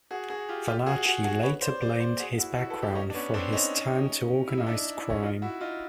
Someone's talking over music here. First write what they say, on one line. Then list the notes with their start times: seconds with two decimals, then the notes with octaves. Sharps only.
Valachi later blamed his background for his turn to organized crime.
0.11 F#4 G#4
0.29 F#4 G#4
0.49 F4 G4
0.67 F4 G4
0.86 F#4 G#4
1.05 F#4 G#4
1.24 F#4 G#4
1.43 B4 C#5
1.62 C5 D5
1.81 C5 D5
2.00 C5 D5
2.20 F#4 G#4
2.38 E4 F#4
2.57 E4 F#4
2.70 A4 B4
2.82 G4 A4
2.95 C#4 D#4
3.10 D4
3.14 B3 C#4
3.34 C4 D4
3.52 C#4 D#4
4.48 E4
4.58 D#4
4.67 D4 E4
4.85 D#4
4.98 E4
5.10 C#4 D#4
5.23 D#4 F4
5.42 E4 F#4
5.61 D#4 F4